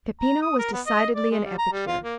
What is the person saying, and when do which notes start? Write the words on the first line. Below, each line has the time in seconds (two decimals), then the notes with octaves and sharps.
Peppino was decidedly an epicure.
0.21 A#5
0.42 D#6
0.59 A#4
0.73 B3
0.86 D#5
1.16 D5
1.31 G#3
1.45 G3
1.58 A#5
1.72 G3
1.87 F4
2.04 A#3